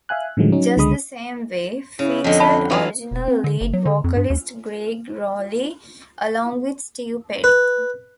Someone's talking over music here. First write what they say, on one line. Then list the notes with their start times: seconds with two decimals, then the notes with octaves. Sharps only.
"Just the Same Way" featured original lead vocalist Gregg Rolie along with Steve Perry.
0.09 E5 F5 G#5 F#6
0.37 A2 D3 D#3 F3 F#3 G#3
0.52 F#3 C#4 D#4
0.77 C#2 D3 G#3 B5 D#6
1.99 C#3 E4
2.24 F2 D3 D#5
2.40 E5 A5 B5
2.70 E3 F#3 F4 C#5
3.11 E1
3.28 C4
3.44 D3
3.61 F#1
3.73 F#3
3.85 D3
4.04 F2
4.17 G2
4.30 D#2
7.44 B4